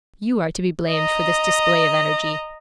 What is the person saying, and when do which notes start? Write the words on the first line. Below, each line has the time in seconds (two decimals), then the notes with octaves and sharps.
You are to be blamed for this display of energy.'
0.89 D#5 A#5